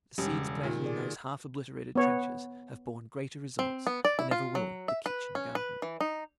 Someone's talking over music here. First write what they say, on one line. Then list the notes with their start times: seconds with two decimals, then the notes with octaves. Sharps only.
The seeds planted in those half-obliterated trenches have borne greater results than ever will the kitchen-garden.
0.18 E1 G3 C#4 G4
0.31 C#3
0.63 A#2 D#3
0.84 G#4 D5
1.95 B3 C#5
3.59 C4
3.87 B3
4.05 D5
4.19 E4
4.31 F4
4.55 F#3
4.88 E5
5.06 B4
5.35 C#4
5.55 B4
5.82 E3
6.01 D#4